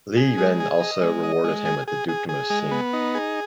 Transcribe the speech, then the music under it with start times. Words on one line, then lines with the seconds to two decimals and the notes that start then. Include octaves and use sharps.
Li Yuan also rewarded him with the Dukedom of Xing.
0.17 G#4
0.38 G#3
0.60 G#4
0.80 D#5
1.01 G#3
1.23 D#5
1.44 G#3
1.65 G#4
1.88 G#4
2.09 G#4
2.29 G#4
2.50 G#3
2.71 B3
2.93 D#4
3.15 G#4